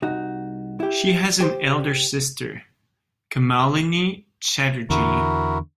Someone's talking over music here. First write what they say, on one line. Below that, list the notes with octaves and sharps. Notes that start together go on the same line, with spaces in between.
She has an elder sister, Kamalini Chatterjee.
C2 D#4 F#4
E4 G4
G4 C5
E2 D3 E4 F#4 A#4